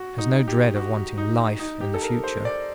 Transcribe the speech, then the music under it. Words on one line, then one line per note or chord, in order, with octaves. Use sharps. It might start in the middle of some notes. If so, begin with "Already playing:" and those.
Has no dread of wanting "life" in the future.
Already playing: F#4
D#4
G4
F#4
D#4
D#4
G4
A4
A#4
C5
D5